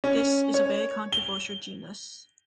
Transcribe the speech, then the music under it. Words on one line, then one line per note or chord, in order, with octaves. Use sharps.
This is a very controversial genus.
C#4
C#5
G7